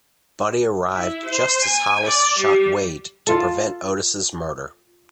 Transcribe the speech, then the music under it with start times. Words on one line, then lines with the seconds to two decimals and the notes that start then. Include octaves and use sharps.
Buddy arrived just as Hollis shot Wade to prevent Otis's murder.
0.95 E4
1.26 C5
1.62 G#5
2.06 D5
2.39 G3
3.27 F4 A4